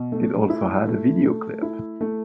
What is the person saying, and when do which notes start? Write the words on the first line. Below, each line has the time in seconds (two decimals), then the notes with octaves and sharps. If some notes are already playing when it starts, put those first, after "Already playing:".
It also had a video clip.
Already playing: B2
0.12 A3
0.50 E4
0.87 A3
1.24 A3
1.62 E4
2.01 A3